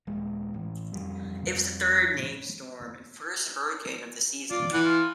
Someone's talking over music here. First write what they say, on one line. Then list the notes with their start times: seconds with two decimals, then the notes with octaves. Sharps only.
It was the third named storm and first hurricane of the season.
0.07 D#1 G#3
0.54 A1 A2
0.93 F2 G3
4.51 F4 D5
4.73 E3 F#5
4.85 F4